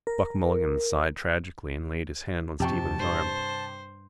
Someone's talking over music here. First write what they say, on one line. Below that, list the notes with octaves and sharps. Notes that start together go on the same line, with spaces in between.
Buck Mulligan sighed tragically and laid his hand on Stephen's arm.
A#4
F2 C3 F3 G5 A5 C#6
G2 C5